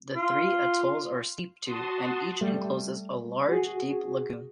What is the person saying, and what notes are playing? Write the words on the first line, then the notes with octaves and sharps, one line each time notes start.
The three atolls are steep-to and each encloses a large deep lagoon.
F4
F#4 A5 C6 D#6
G3 A3
F#4 G#4